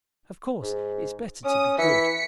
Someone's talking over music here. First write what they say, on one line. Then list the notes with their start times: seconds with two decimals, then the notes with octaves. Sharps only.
Of course it's better to be good.
0.62 G#2
1.45 C#4 D#6
1.78 E3 B6 C#7